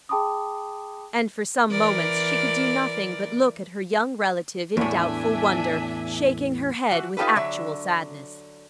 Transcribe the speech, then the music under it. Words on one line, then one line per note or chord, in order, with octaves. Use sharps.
And for some moments she could do nothing but look at her young relative in doubtful wonder, shaking her head with actual sadness.
G#4 G5 A5 B5 D6 D#6
E3 A#4 D5
E2 A2 D4 E5 G#5
E3 F#4
D#4 F4 G4 A4 B4
D3 F#3 E5